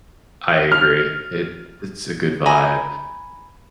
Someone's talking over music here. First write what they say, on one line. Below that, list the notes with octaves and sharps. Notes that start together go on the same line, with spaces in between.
I agree. It it's a good vibe.
F6
G#5 A#5 B5